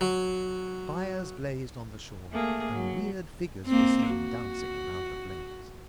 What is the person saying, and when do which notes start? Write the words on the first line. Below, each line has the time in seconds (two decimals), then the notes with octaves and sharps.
Fires blazed on the shore and weird figures were seen dancing around the flames.
0.01 F#3
2.32 A3 A#3 G#4
2.72 F#3
3.66 A#3 C4
4.09 F#4